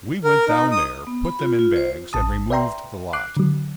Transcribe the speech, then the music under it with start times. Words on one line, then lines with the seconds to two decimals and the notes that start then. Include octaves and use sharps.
We went down there, put them in bags and removed the lot.
0.24 A#4
0.48 D#4
0.71 D#6
1.07 B3
1.25 B5
1.39 F4
1.59 F4
1.76 C5
2.13 A1 A5 D#6
2.50 B4 D5 E5 G5 A#5 C6
3.13 D6 F#6 C7
3.37 D3 F#3